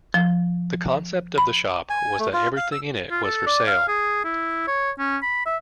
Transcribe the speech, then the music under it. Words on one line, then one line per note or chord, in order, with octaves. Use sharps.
The concept of the shop was that everything in it was for sale.
F3
B5
G#5
A3
F4
F5
E6
F4
A4
D5
F5
G#4
E4
C#5
C#4
B5
E5